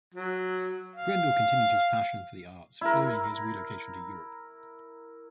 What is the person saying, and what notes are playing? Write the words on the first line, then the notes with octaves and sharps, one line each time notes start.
Brendle continued his passion for the arts following his relocation to Europe.
F#3
F5
E4 A#4